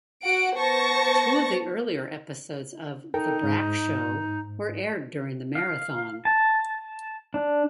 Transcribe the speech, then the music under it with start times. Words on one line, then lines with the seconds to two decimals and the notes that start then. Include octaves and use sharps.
Two of the earlier episodes of "The Brak Show" were aired during the marathon.
0.24 F#4 F#5 D7
0.55 B3 C5 A5 C#6 A#6
3.14 D#4 A4 A#4 G5
3.43 G#2
5.55 F5
6.25 A5
7.34 D4